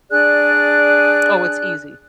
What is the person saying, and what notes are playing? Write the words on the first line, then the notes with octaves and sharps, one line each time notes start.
Oh, it's easy,
D4 G#4 D5 F#6